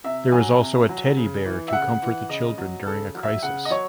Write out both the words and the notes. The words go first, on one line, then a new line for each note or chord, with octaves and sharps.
There is also a teddy bear to comfort the children during a crisis.
C3 E5
F#3 G#5
C3
F#3
C#3
E3
E5
C#3 F#5
E3
C#3 D#5
F#3
C#3 A4
F#3
E5
C#3 F#5
D#5
F#3 C#5